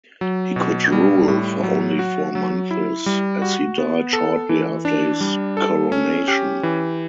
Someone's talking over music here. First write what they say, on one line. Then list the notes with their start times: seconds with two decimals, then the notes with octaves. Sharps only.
He could rule for only four months, as he died shortly after his coronation.
0.21 F#3
0.56 B2
0.92 G3
1.28 A2
1.63 F#3
1.99 F#4
2.35 F#3
2.71 E4
3.06 G3
3.42 F#4
3.78 B3
4.13 A4
4.49 E3
4.85 D4
5.21 G3
5.57 A4
5.92 C#4
6.28 G4
6.63 E3